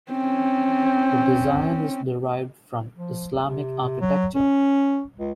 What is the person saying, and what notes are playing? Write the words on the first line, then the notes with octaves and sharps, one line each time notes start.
The design is derived from Islamic architecture.
C4 C#4
F3
C3
F#3
C#4
C#2